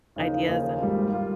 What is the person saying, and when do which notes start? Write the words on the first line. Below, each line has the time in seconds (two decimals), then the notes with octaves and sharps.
ideas and
0.16 D#2 C#3 F3 A#3 D#4
0.48 D#2 C#3 F3 A#3 D#4
0.81 G#1 G#2 G3 A#3 F4
1.13 G3 A#3 F4